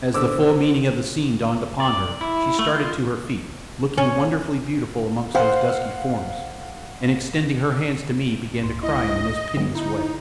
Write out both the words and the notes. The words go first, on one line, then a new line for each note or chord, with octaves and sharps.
As the full meaning of the scene dawned upon her she started to her feet, looking wonderfully beautiful amongst those dusky forms, and extending her hands to me began to cry in the most piteous way.
B2 D3 C5 D6 E6
D5
E4
A3
F4
C#4
C5 F5 F#5
C#2 G#2 C6
C#2 E4 D#5
D3 F#3 G#3 B3
D#4 E4